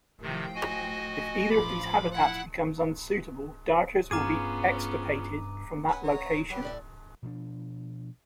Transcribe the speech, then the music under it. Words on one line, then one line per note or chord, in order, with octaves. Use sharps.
If either of these habitats becomes unsuitable, darters will be extirpated from that location.
A2 C3 D#3 F3 G5
F#4 D#5 G#5
A1 F3 F4 B5 D6
E4 F#5
G2 B3 C#4 F4 G#4 A#5 D6 D#7
B3 C#4 B4 G#5
C#5 A#5
F#3 G4 B4
A2 D5 E5
B2 F3 C#4 D4